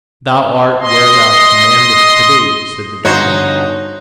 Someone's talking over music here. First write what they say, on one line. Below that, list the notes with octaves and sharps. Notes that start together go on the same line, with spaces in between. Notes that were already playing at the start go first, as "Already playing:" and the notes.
"Thou art where thou commandest to be," said the Demon.
D#5 C6
G2 D3 D#4 F#4 C5 C#5